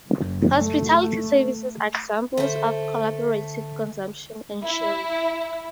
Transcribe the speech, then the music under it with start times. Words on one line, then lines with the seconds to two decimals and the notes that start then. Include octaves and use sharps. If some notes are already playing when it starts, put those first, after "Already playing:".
Hospitality services are examples of collaborative consumption and sharing.
0.19 F#1
0.56 A3
2.37 D3 A3 C5
4.65 E4